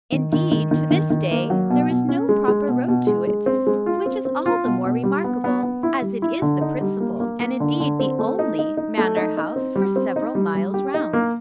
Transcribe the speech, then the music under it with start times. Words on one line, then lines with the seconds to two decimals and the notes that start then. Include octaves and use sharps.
Indeed to this day there is no proper road to it, which is all the more remarkable as it is the principal, and indeed the only, manor house for several miles round.
0.12 D#3
0.33 D#3
0.52 D#3
0.71 D#3
0.91 D#3
1.10 D#3
1.31 A#3
1.50 F#3
1.70 B2
1.90 B2
2.09 C#4
2.29 G#3
2.48 G#3
2.68 B2
2.88 B2
3.07 G#3
3.27 G#3
3.46 C4
3.67 G#3
3.86 F4
4.06 C4
4.25 C4
4.46 F4
4.65 B2
4.85 B2
5.04 G3
5.24 B3
5.44 B3
5.63 B3
5.83 E4
6.02 G3
6.22 E4
6.42 D3
6.61 D#4
6.81 G3
7.00 A#3
7.20 A#3
7.40 A#3
7.60 D3
7.80 D3
8.00 C4
8.19 A3
8.39 D#4
8.59 D#4
8.77 D#4
8.98 A3
9.17 D#4
9.37 D#4
9.56 C4
9.76 G3
9.96 C4
10.16 D#4
10.35 G3
10.55 G3
10.74 G4
10.94 D#4
11.13 A#3